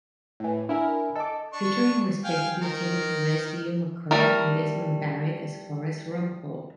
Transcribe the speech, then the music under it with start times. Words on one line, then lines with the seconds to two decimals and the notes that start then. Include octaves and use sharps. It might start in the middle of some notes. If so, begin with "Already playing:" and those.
Featuring respectively Timothy West, Leo McKern and Desmond Barrit as Horace Rumpole.
0.40 A2 E3
0.69 D4 E4 A#4 E5 G#5
1.16 A4 D#5 A5 D6
1.53 D4 C#6
2.24 F5 G5 G#5
2.62 D#3 A#4
4.11 G3 A3 A#4